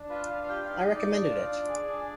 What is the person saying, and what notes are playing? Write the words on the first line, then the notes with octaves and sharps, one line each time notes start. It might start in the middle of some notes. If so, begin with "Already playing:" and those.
I recommended it.
Already playing: D4
F4 B4
D4 F5
F5
G4 G5
F5
D#4
D#5
D#4
D5
D4
F4
D4
G#4
D4